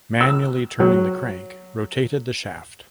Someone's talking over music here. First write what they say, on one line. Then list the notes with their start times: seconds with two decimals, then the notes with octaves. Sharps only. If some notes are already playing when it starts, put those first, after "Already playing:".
Manually turning the crank rotated the shaft.
0.21 E6
0.80 F#3